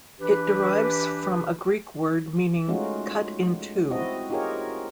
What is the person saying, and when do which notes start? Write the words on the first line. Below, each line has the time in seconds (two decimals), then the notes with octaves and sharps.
It derives from a Greek word meaning "cut in two".
0.20 E3 D4 G4 B4
2.68 G#3 A3 C#4 D#4 F4 F#4
3.90 C4 E4 F#4 D#5
4.30 D#4 F4 G4 G#4 A#4 C#5